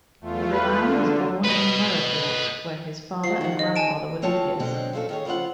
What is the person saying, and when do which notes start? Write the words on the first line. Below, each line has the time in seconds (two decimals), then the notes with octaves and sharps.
Vuillaume was born in Mirecourt, where his father and grandfather were luthiers.
0.20 E2 A3 F4
0.52 B4
0.90 D3
1.45 B4 D#5
3.24 F3 F#4 C7
3.41 D#3 G3 F#5
3.59 D#5
3.76 G#5 A5 D7
4.22 A3 C4 F4 C#5 F#5 A5
4.59 B2 D3 F#3 G#3 C4
4.93 F2 A#2 A3 C#4 F#4 A4
5.09 D#3 G#4 C#5
5.25 C#3 F3 C4 F4 F#5